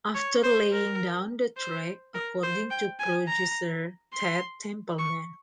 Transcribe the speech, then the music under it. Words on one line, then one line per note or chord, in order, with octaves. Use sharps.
After laying down the track, according to producer Ted Templeman.
C#5
C5
A#4
C5
A#4
C5
G5
G#5
A#5
C6
C#6